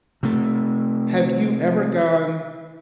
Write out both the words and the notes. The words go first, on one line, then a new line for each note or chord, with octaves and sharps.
Have you ever gone
C3 A3